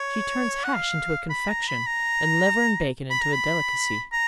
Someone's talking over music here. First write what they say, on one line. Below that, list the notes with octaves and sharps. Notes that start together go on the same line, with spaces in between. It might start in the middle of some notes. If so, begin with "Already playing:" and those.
She turns hash into a confection and liver and bacon into a delicacy.
Already playing: C#5
F#5
F5
B5
A#5
B5
A#5
B5
A#5
B5
A#5